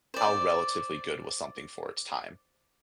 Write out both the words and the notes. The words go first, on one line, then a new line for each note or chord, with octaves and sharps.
"How relatively good was something for its time?"
C5 D5